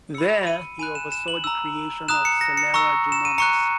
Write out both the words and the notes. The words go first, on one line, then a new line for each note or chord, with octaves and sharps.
There he oversaw the creation of Celera Genomics.
B5 E6 C#7
D#7
G#5 B5 F#6 D#7
E7
E7
F#7
A#5 E6
A#5 D#6 F#6 E7
C#7
A#6
C#7
A#5 C#6 E6
E7
D#7
A#5 C#6 F#6 C#7